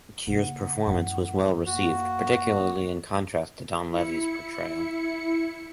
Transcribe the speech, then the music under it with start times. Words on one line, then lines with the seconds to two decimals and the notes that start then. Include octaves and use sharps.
Keir's performance was well-received, particularly in contrast to Donlevy's portrayal.
0.27 C#3 A#3 F#5
0.87 F#2 A2
1.66 A#3 F#4
3.90 E4 C#7